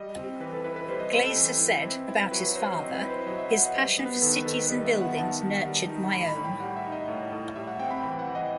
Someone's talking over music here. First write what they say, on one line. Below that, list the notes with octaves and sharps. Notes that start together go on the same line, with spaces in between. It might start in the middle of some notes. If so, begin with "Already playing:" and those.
Glaeser said, about his father, "His passion for cities and buildings nurtured my own".
Already playing: G3 D#5
C4
E3 B4
A4
E4 B4
B4
G3 C5
D#5
C4 C5
A4
E3 B4
E4
C4
E4
F#3 B4
F#3 C5
C4 D#5
B4
E4
C5
F#3 D#5
E5
F#3 F#5
D#5
G3 C5
B3
B4
D#3 A4
B4
D#3 A4
B4
G3 D#5
E5
B3
F#5
D#3 A5
D#3
G3
D#4
A2 B5
B5
A2
G5
G3 F#5
E5
D#4
D#5
A2
A2
G3 E5
F#5
C4 G5
B5
E3 B5
F#5
E3
D#5